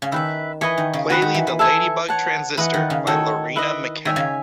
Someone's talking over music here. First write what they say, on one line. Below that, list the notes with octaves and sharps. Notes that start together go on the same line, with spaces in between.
Plaly The Ladybug Transistor by Loreena Mckennitt.
C#3
D#3 E4 B4 E5
E3 B4 D#5 G#5 C#6
D#3
C#3
D#3 F#4 B4 F#5 B5
D#3
E3
E3
A4 E5 G#5 C#6
C#5 F#5 A5
E3 B4 D#5 F#5
D#3
C#3
D#3 F#4 A4 C#5
E4 B4 D#5
D#3 C#5 E5 G#5
C#3